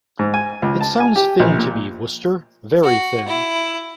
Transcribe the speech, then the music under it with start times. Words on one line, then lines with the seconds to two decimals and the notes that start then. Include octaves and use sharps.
It sounds thin to me, Wooster, very thin.
0.19 G#2
0.34 G#5
0.62 C#2
0.81 A5
1.00 G#5
1.16 G4
1.40 A#1
1.59 A#2
2.84 F#4
3.28 E4